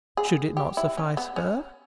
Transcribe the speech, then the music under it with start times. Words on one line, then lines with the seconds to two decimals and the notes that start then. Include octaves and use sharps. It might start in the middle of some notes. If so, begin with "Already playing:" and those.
Should it not suffice her?
0.17 G#4
0.57 G4
0.77 E4
0.97 C#4
1.17 B3
1.36 C#4